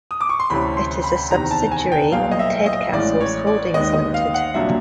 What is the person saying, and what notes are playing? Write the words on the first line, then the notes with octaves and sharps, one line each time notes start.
It is a subsidiary of Tedcastles Holdings Limited.
D#6
D6
C#6
C6
D2 C3 E3 A3 C#4 B5
C6
B5
E2 C3 D#3 A#5
A5
G#5
G5
B1 A#2 G3 B3 F5
D#5
E5
D#5
A1 A2 E3 G#3 C#4 D5
C#5
D5
D#2 D#3 G#3 B3 D#5
D#5
F5
F#5
C2 A#2 F#3 A#3 D4 E5